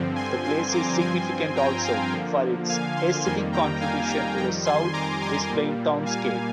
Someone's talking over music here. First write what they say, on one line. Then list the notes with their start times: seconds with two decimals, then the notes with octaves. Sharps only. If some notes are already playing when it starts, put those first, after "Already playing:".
The place is significant also for its aesthetic contribution to the South Brisbane townscape.
Already playing: G2 D3 F3 C4
0.16 G#5 C6
0.44 G#5 C6
0.72 A#5 D6
1.00 G2 F3 C4 G#5 C6
1.56 G5 A#5
1.84 F5 G#5
2.12 D3 F3 A#3
2.69 F5 G#5
2.96 G#5 C6
3.24 F2 D#3 G3 A#3 G#5 C6
3.52 G5 A#5
3.80 F5 G#5
4.09 G5 A#5
4.37 F2 D#3 G3 G5 A#5
4.65 G#5 C6
4.93 A#5 D6
5.22 G#5 C6
5.50 A#2 G3 A#3
6.05 F5 G#5